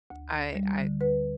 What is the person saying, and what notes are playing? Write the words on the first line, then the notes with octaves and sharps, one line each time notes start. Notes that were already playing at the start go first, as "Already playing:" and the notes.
I I
D2
D2
G3
D3
D2 B4